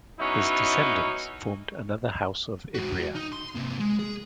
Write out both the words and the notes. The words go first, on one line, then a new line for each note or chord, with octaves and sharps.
His descendants formed another House of Ivrea.
F#3 B3 C#4 D#4 E4
G#3 F#4
D#4
C6
C3 A#3
G#3
G#4